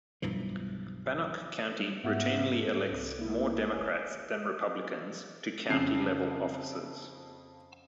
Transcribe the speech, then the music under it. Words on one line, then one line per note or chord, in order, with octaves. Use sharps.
Bannock County routinely elects more Democrats than Republicans to county-level offices.
B1 G2 E3 F3
G3
G#2 B3 E5 F#5
C4 A4
C2
A#3 E4
F#1 B4 C#5 G#5
F2 C#3 C7